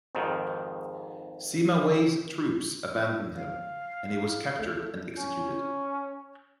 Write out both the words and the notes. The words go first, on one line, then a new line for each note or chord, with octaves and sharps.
Sima Wei's troops abandoned him, and he was captured and executed.
G#1 F2 G#2 D#3
F5
A3
C#4